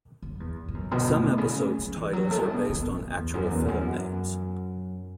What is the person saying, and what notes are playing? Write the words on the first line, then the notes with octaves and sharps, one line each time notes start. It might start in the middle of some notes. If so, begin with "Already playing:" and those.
Some episodes' titles are based on actual film names.
F#2
E2
A2
F#2
B2
A2
C#3
F#3
E3
F#3
A3
C#3
B2
B2
A2
F#2
E2
F#2
E2
F#2